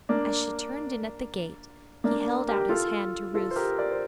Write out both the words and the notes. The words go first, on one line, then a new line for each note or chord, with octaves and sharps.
As she turned in at the gate, he held out his hand to Ruth.
A#3 D4
A#3 D4
G4 A#4
F4 A4
F4 A4
C5
G4 A#4
A#4 D5
C5